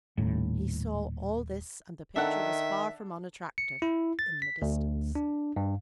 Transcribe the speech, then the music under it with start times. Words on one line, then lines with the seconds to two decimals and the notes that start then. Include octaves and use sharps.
He saw all this, and the picture was far from unattractive--in the distance.
0.17 D#1 A2
2.16 D#3 D4 A4 E5 F#5
3.58 C#7
3.82 E4
4.19 A6
4.42 B6
4.62 D2
5.15 D4
5.56 G2